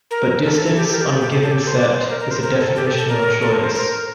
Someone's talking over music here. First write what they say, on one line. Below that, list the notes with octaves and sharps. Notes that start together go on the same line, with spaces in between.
But distance on a given set is a definitional choice.
A#4
A4
A4
A4
G4
A4
A#4
G4
A4
G4
A4
A4
G4
A4
C5
D5
C5
A#4
A#4
C5
A#4
A4
G4
A4
A4
A#4
A4
A#4
C5
A#4